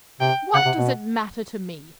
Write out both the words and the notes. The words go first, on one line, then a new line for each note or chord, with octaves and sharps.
"What does it matter to me?"
C3 G5
C#3 F#5
C3
B2